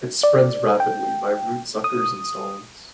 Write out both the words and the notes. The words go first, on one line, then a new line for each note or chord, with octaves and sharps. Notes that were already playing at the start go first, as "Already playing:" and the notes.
It spreads rapidly by root suckers and stolons.
D5
G5
D#6